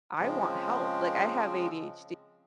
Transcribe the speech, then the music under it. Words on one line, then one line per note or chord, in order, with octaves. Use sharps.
I want help, like I have ADHD,
C#3 F3 G#3 C4